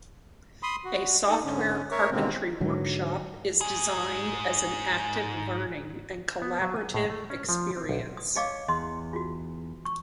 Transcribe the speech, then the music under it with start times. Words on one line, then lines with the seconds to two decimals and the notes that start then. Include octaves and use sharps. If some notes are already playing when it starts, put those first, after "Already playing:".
A Software Carpentry workshop is designed as an active learning and collaborative experience.
0.63 B5 C6 D#6
0.85 F#4
1.29 D#4 A4
1.44 G#2 D3 C#4
1.91 A#4 C#5 E5 C#6
2.11 B2 D3 D#3 G#3 A#3 C4
2.60 G#2 D3 F#3
3.61 G#2 G#4
6.42 B3
6.62 F#3
6.77 G#5
6.94 A2
7.10 A3
7.30 C#4
7.49 F3
7.77 C4
7.89 B1
8.17 D#6
8.36 C#5 D#5 F5 D6
8.68 E2 D#5 C6
9.13 F4 F#4
9.85 C#6